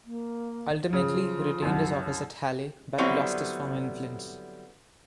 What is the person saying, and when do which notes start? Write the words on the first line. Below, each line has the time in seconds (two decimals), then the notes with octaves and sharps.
Ultimately, he retained his office at Halle, but lost his former influence.
0.06 A#3
0.93 C#3 F3
1.62 C2 F#2
2.98 D3 F#3 G3 B3 C4 E4